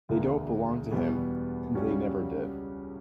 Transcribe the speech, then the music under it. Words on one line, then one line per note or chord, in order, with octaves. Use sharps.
They don't belong to him, and they never did.
E1 D2 D3 A#3
E2 B2 G3 B3
C#2 C#3 G3 C#4 F#4